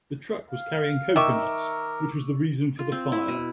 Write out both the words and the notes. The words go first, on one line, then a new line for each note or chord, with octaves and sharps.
The truck was carrying coconuts, which was the reason for the fire.
F5
D#3 A#4 E5 C#6 D6 E6
F4
C4
E4
B2